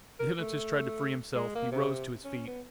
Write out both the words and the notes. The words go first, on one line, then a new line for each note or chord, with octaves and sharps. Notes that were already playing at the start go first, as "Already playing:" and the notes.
The hypnotist tried to free himself; he rose to his feet.
A#4
A3
G#3
A#3
C3
C#4
B3